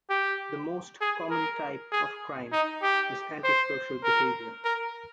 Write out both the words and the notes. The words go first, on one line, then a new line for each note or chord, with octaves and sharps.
The most common type of crime is anti-social behaviour.
G4
G#4
A#4
G#4
D#4
G4
C5
A#4
A#4